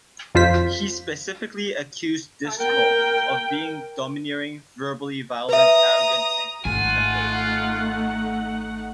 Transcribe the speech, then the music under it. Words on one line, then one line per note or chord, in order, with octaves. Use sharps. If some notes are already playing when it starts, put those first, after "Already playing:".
He specifically accused Driscoll of being "domineering, verbally violent, arrogant, and quick-tempered".
F2 F4 C5 B6
A#4 G5
B4 E5 A#5 D#6
G#1 A3 D#4 F4 F#5 G#5